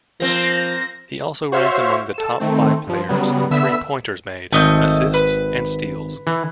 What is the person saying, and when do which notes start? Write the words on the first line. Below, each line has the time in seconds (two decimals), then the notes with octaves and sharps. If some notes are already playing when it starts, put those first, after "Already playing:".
He also ranked among the top five players in three-pointers made, assists, and steals.
0.20 F3 A#3 C4 A#6
1.52 F#4 C5 C#5 E5 F5
2.14 A4 E7
2.40 D#3 A3 C4
2.87 G2 F3
3.09 C#3 F#3 G3 B3
3.51 D3 B3 E5 E6 B6
4.53 G#1 A3 D#5 G6
5.14 B4
6.27 E3